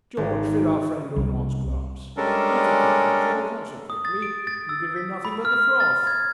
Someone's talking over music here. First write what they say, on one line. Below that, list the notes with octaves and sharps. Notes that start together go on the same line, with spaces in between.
George, fill our friend Urmand's glass; not so quickly, George, not so quickly; you give him nothing but the froth.
G#1
C2
G3 G#3 C#4 D4 A4 A#4
D#6
A6
D7
A6
E6
B6
B5
F6
A6
G#6